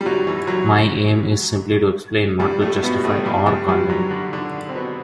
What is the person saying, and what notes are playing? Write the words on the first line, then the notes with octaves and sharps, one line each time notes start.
My aim is simply to explain, not to justify or condemn.
G3
F#2 F#3
E3
F#2 F#3
G2 G3
A2 A3
B2 B3
G3
A2 A3
G2 G3
G2 G3
G2 G3
F#2 F#3
D3
D3
C4
B2 B3